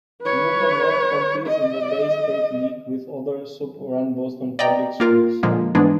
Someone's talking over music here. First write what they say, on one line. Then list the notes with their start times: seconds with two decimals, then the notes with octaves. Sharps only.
Newton North competes in the Bay State League with other suburban Boston public schools.
0.22 B4 C#5
1.46 D#5
4.59 D5 D#5 G5 A#5
5.00 A#3 F4 A#4
5.43 A#2 D3 F3 G#3 A#3
5.75 G#2 E3 G#3 B3 D4